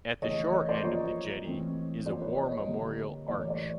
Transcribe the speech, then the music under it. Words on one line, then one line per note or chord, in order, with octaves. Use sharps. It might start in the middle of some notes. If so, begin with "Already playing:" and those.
At the shore end of the jetty is a War Memorial arch.
C#3 E3 A3 C#5 D#5
C#5 D#5
C5 D5
F3 A#3 C#4 C#5 D#5
E3 A3 C4
F3 A#3 C#4 C5 D5
B4 C#5
C#5 D#5
C#5 D#5
D3 G3 A#3 D4
A2 E3 G3 A#3 D5
C#5
C5 D5